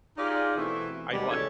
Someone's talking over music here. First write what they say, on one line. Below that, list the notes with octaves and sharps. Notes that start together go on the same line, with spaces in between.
I'd watch
D#4 F4 G4 G#4 D5
B2 E3 A3 C4 E4
D#2 B2 G3 G#3
C#3 E3 A4 C#5